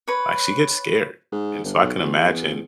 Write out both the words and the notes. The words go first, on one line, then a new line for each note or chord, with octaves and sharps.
like, she gets scared, and so I can imagine
B4 C#5
G#2
G1
B1
E2